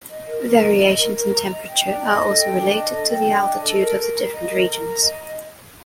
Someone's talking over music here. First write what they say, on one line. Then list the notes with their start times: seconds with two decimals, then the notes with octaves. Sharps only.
Variations in temperature are also related to the altitude of the different regions.
0.10 D#5
0.27 A#4
0.44 A#4
0.62 A#5
0.80 D#5
0.98 A#4
1.15 A#4
1.33 A#5
1.51 D#5
1.68 G5
1.86 D4
2.03 D#5
2.21 A4
2.38 G5
2.56 D4
2.73 D#5
2.91 A4
3.09 G5
3.26 D4
3.45 D#5
3.61 A4
3.79 A#4
3.96 A#4
4.15 A#5
4.32 D#5
4.50 A#4
4.68 A#4
4.85 A#5
5.03 D#5